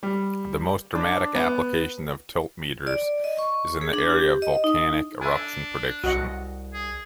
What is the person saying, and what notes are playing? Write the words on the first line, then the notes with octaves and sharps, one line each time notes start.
The most dramatic application of tiltmeters is in the area of volcanic eruption prediction.
G3
D4
B3
D5
D#5
C#6
G#4
D4
G4
D#5
D#4
D4 E5 G#5
C2 F#4 D#5 F#5
G#4